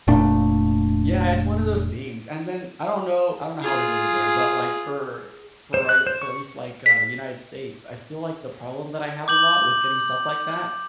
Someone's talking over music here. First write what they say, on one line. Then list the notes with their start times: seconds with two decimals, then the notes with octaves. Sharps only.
Yeah, it's one of those things, and then, I don't know I don't know how it is over there, but, like, for for I l for at least, like, uh, United States, I feel like the problem that I have a lot with getting stuff like that
0.08 F1 A#2 A3 D4
3.62 F4 G#4
5.74 C5
5.89 F#6
6.07 C5
6.22 C#6
6.86 B6
9.28 D6 G6 F#7